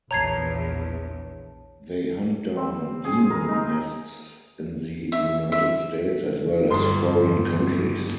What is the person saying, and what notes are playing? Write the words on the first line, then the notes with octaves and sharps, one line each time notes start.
They hunt down demon nests in the United States, as well as foreign countries.
A#1 E2 C#5 A5 A#5 G#6 C7
C4
G#4
A#4
D#4
E5
E5
G1 C6